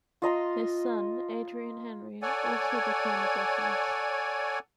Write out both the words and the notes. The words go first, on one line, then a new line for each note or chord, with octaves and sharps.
His son Adrien-Henri also became a botanist.
F4 D#5 A#5 C6
A4 C#5 D5 F#5 G#5